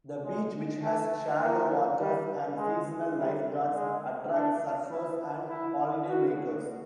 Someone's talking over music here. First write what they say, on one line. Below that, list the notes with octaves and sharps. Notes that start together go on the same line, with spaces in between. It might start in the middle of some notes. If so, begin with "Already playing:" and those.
The beach, which has shallow waters and seasonal lifeguards, attracts surfers and holidaymakers.
G#3
A3
A#3
G3
G#3
G3
G#3
D4
E4
E4
F#4